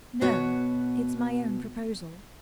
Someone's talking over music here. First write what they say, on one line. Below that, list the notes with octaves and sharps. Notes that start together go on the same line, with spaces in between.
"No; it's my own proposal."
B2 B3 F#4 C#5